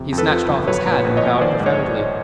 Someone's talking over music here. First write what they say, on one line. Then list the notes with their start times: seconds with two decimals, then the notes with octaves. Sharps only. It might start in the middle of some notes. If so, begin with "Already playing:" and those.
He snatched off his hat and bowed profoundly.
Already playing: F2 C3
0.12 F2
0.18 A4 B4
0.30 F3
0.49 G1
0.67 F#3 B4 C#5
0.86 A#2
0.92 B4 C#5
1.04 A#1
1.17 C#5 D#5
1.23 A#1
1.41 D#3 C5 D5
1.60 G#2
1.66 C#5 D#5